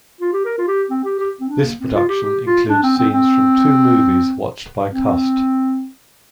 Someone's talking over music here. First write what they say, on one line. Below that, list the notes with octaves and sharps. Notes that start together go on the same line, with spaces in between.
This production includes scenes from two movies watched by Cust.
F4
G4
A#4
F4
G4
C4
G4
G4
C4
D4
A#3
C4
F4
G4
G4
F4
D4
C4
C4
C4
C4